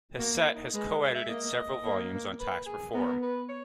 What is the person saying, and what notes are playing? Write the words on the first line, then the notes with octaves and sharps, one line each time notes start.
Hassett has coedited several volumes on tax reform.
A#3 F#4
E4
D#4
G#3 B4
B4
E5
A#3 D#5
A#3
B4
G#4
B3 A#4
B4
C#5